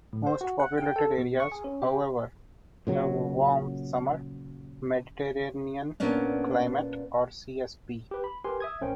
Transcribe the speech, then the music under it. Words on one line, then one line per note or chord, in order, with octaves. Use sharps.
Most populated areas, however, have a warm-summer Mediterranean climate, or "Csb".
A2
C5
F#4
F#5
G5
A4
B2
C#6
G#4
C#4
G4
A#2 C#3 F#3
A#2 A#3 B3 C#4 D4
G4 B4
B5
G4 A#4 B4 G#5 C6
E5 D#6 G#6
A1 C#4 A#4 C5 G5